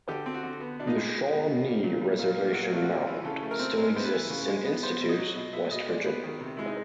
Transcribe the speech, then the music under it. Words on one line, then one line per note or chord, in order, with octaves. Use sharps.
The Shawnee Reservation Mound still exists in Institute, West Virginia.
D3 G4
C4
F#4
D3
B3
B2 D4
D#4
G#3
B2
B3
B2
A#3
A#2
G3
A#2 F4
A#3
F4
A#2 F#4
F4
F#4
A3 F4
F#4
C4 F4
E3
C#3 A4
A3
A#4
C4
G#3 A#4
B3 C5
B4
E3
C#3
G#3
B3
B3 C5
B2
D#5
F#3
B2 D#5
B3 E5
B2 D#5
G#3 D5
B3 B4
D#3
C3
G#3 E4
D#4